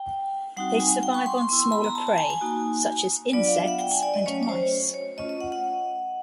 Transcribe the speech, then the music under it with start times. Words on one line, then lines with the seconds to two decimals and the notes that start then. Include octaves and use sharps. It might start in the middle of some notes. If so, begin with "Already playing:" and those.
They survive on smaller prey, such as insects and mice.
Already playing: G5
0.57 G3 C4 D#4 F#4 F#5
0.80 G#5
0.93 F#5
1.03 G5
1.14 C#6
1.26 C6
1.38 C6
1.49 B3 E4
1.60 C6
1.72 B5
1.84 A#5
1.95 A5
2.07 A5
2.18 G#5
2.30 G#5
2.41 A#3 D#4 F#4
3.33 F#3 B3 D4 F4 D5
3.47 F5
3.56 E5
3.68 F#5
3.79 G5
3.91 G#5
4.03 D5
4.14 D#5
4.26 F#3 A3 C#4 C#5
4.43 C#5
4.49 C5
4.94 C#5
5.17 A3 C#4 F4 D#5
5.29 D#5
5.41 F#5
5.52 F#5